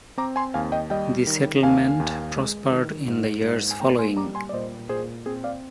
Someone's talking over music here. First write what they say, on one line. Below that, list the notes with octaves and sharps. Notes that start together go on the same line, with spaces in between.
The settlement prospered in the years following.
C4 A#5 D6
G#5 C6
D#2 F5 G#5
D#5 G5
G3 D#5 G5
D#3
D#2 F5 G#5
D#2
G#3
D#3
G#2
G#2
G#5
A#3 G5 A#5
G#5 C6
G3 A#5 D6
G#5 C6
D5
A#2 C5 D#5
A#2 G#4 C5
C4 G#4
D5 F5